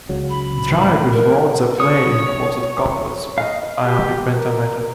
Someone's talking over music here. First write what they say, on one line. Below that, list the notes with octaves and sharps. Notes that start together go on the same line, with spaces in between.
Dryden wrote the play in closed couplets of iambic pentameter.
C#2 C#3 F#3
B5
A2 C#3
A#4
C#5 D#6
D#5 F5
G4
A#4